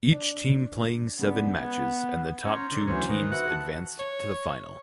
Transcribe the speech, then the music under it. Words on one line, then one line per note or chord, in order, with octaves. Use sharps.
Each team playing seven matches and the top two teams advanced to the final.
D4
C#3 G#3 B3 D4
B3 G#6
C#4 C5 A#5
D3
D2 E3 F#3 C#4 C5
D#3 B4
F#4 B4 E5 F#5
A5
C#5